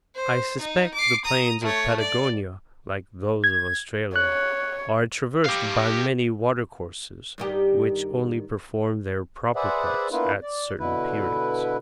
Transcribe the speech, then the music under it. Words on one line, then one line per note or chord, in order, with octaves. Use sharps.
I suspect the plains of Patagonia like those of Australia, are traversed by many water-courses which only perform their proper parts at certain periods.
C5
D#4
D6 C7
A#5 D#6
A3 C#5
D5
G#6
C#5 F#6
G4 F5
G2 D#3 G4
G#4 B4 C5 D5 E5 F#5
A#3 B3 D4 E4 F4 B4
D5
B2 D3 E4 B4